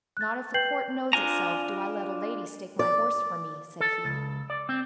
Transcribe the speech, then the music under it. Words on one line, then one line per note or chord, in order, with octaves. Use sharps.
"Not if the court knows itself do I let a lady stake my horse for me," said he.
F#6 A6
B4 G5 G6 C7 F#7
D4 F4 G#5 A#5
D5
A4
C#2
D5
C4